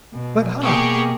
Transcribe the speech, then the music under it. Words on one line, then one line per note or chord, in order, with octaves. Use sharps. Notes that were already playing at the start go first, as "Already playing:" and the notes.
But, ha!
B2
B2 A#3 G4 G#4 C#6